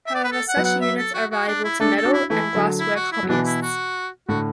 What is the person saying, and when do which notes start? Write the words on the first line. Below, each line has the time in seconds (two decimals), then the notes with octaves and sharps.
However, such units are valuable to metal and glasswork hobbyists.
0.07 E5
0.15 D5
0.24 B4
0.32 A4
0.48 F#5
0.57 F#3 B3
0.65 F#5
0.81 E5
0.98 A4
1.14 F#4
1.31 F#4
1.48 D4
1.64 E4
1.80 A3 D4 A4
1.97 A4
2.05 D4 F#4
2.13 E4
2.30 E3 A3 E4
2.54 D3 F#3
2.80 E4
2.96 F#4
3.12 E4
3.23 F#3
3.29 B2 E3 D4
3.46 E4
3.62 F#4
4.28 A2 D3 F#4